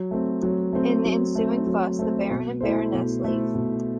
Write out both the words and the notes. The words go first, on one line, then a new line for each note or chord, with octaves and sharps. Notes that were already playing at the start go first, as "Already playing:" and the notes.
In the ensuing fuss, the Baron and Baroness leave.
Already playing: F#3
A3 C4
F#3
A3 C4
F#3
A3 C4
F#3
A3 C4
B2
A3 E4 A4 C5
B2
A3 E4 A4 C5
B2